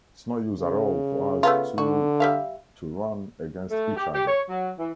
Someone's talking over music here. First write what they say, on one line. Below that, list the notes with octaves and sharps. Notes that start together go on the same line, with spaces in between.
It's no use at all for us two to run against each other.
C#3
A3 B3 F4
D3 F#4
G3 E5 F5
A3
G4
G4
C#5
F#3
E3